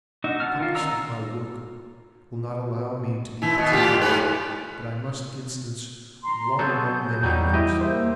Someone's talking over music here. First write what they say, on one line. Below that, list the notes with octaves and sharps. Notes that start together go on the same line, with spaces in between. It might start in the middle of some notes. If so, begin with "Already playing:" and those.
The compass of my work will not allow me to be particular; but I must instance one among many others.
D4 D#4 F#4 E5
F#5 A5 F6
D#3 F4
C#4 D#4 D5 A#5 E6
D#3 E4
B2
A2 F4 G4
G#2 B4
A#5 C6
F#3 B3 G#4 A4 G6
E2 F#3 G3 D#4
G3 E4 G4 D#5
A#3 C5 E5